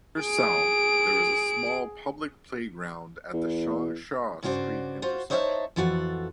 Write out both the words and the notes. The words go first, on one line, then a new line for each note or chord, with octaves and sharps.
Further south, there is a small public playground at the Changsha Street intersection.
G#4 D7
E2
G2 C#3 F#4 C5 D5
F4 F#4 C5
D#4 C5 C#5 E5 F#5 A5
F2 E3 F4 F#4 A4 F#5